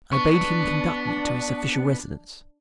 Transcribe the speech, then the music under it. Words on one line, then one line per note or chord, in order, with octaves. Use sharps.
I bade him conduct me to his official residence.
B3 D4 C#6